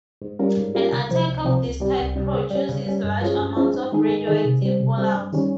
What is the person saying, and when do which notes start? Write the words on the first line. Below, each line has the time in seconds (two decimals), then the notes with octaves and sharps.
An attack of this type produces large amounts of radioactive fallout.
0.22 G#2
0.39 G3 C#4 F4 A#4
0.57 G#2
0.75 G3 C#4 F4 A#4
0.92 C#2
1.09 C3 F3 C4
1.27 C#2
1.45 C3 F3 C4
1.63 C#2
1.80 C3 G3
1.98 C#2
2.16 C3 G3
2.33 C#3
2.51 G3 C#4
2.69 C#3
2.86 G3 C#4
3.04 G2
3.21 F3 G#3 C#4 F4
3.39 G2
3.56 F3 G#3 C#4 F4
3.74 G#2
3.92 D#3 G#3 D#4 G#4
4.09 G#2
4.27 D#3 G#3 D#4 G#4
4.44 C3
4.62 G3 C4
4.80 C3
4.97 G3 C4
5.15 G2
5.33 D#3 G3 C#4